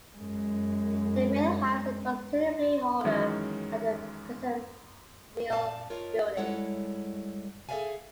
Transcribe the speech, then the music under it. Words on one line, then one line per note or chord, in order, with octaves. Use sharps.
The mill house is considerably older than the present mill building.
F#2 G#3
D#3 E3 F#3 G#3 C#4
A#2 C4 D5 F5 G#5 A5
F4 A#4 C#5 D#5
G3 G#3 E4 A4 C#5 F#5
G#4 A4 D5 E5 F5 G#5